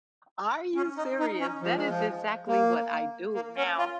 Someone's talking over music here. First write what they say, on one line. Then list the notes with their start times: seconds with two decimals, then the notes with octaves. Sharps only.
Are you serious? That is exactly what I do now.
0.76 C#4
0.97 D#4
1.20 D#4
1.40 C#4
1.62 F3
1.76 G#3
1.89 F3
2.48 A#3
3.34 A#3
3.57 C#4
3.78 F4